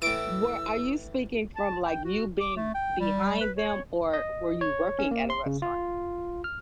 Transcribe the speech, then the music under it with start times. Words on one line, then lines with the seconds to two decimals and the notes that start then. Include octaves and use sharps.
where are you speaking from, like, you being behind them, or were you working at a restaurant?
0.02 A2 E3 E6 D7
1.56 A5
1.85 G5
2.04 F#4
2.40 D6
2.56 A3
2.75 G5
3.00 G3
3.41 B4
3.57 C#5
4.13 D#5
4.61 C#5
4.99 C#4
5.11 A#3
5.30 C6
5.46 C#3
5.62 F4
6.44 F6